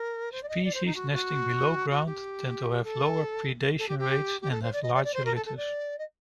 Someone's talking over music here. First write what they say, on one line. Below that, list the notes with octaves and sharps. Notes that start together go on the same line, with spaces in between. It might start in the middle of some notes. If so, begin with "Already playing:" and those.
Species nesting below ground tend to have lower predation rates and have larger litters.
Already playing: A#4
C5
D5
D#5
D5
C5
D#4
F#4
F#4
F#4
G4
A4
A4
G4
G4
G4
A4
C5
D5
D#5
D5
D5
C5
A#4
A4
A4
D5
D#5